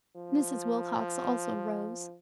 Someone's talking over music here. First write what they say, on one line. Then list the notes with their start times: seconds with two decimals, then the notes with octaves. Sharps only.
Mrs. Wilcox also rose.
0.16 F3